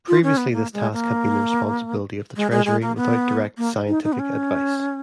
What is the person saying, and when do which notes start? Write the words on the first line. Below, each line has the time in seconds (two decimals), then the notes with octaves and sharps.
Previously this task had been the responsibility of the Treasury without direct scientific advice.
0.08 F4
0.23 C#4
0.37 B3
0.53 A#3
0.73 G#3
0.93 A#3
2.36 G#3
2.51 G#3
2.66 G#3
2.82 A#3
2.97 B3
3.58 A#3
3.88 D#4
4.04 D#4
4.13 B3
4.19 C#4